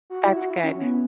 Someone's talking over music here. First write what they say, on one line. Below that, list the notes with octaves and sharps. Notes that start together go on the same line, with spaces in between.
That's good.
F#4
E4
F#4
E4
C#4
B3